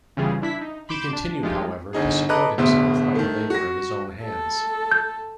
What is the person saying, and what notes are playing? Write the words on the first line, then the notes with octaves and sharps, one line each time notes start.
He continued, however, to support himself by the labour of his own hands.
G1 C#3 E3 G3 F4 G#4
D4 E4 B6
D#4
B5 C6 D6 G6 D7 E7
D4
F3 G#3 A3 D#4 F4 G4
G1 D#4 G#4
A4 B4 D#5 A#5 D6 F#6
D1 G1 B2 B3 C5 E5
D#3 A3
F#4 A#6
A4
G6